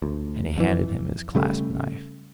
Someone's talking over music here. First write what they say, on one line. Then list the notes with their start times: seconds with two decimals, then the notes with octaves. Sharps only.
And he handed him his clasp knife.
0.02 D2
0.58 F2 E3
1.35 C#3 G3 A3